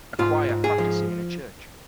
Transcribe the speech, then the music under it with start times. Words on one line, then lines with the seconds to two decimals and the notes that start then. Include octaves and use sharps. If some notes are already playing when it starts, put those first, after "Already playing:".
A choir practicing in a church.
0.19 G#2 F4
0.49 G#2
0.64 G#4
0.78 F3